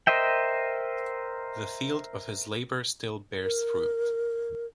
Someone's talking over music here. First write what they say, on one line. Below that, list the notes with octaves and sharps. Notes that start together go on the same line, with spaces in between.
The field of his labor still bears fruit.
A#4 C5 D#5 E5 G5
A#4